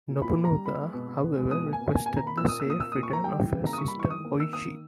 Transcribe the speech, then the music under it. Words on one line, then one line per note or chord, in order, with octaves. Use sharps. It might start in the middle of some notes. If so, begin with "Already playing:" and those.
Nobunaga, however, requested the safe return of his sister, Oichi.
A#2
A#2 B5
A#3
A#5
G3
B3 B5
G#3
B2
B2
B3
G#3
B2 D#6
A#3
G#5
B2
A#3 G#5
B2 G#5
A#5
A#3 B5
A#2 E6
A#3 D#6
E6
A#2 D#6
A#3 E6
A#2 D#6
C#6
A#3 A#5
G3 G5
E3
C#3
A#3 A#5
D#6
G3 C#6
B5
E3 C#6
D#3 D#6
A#3
D#3 E6
A#3 D#6
D#3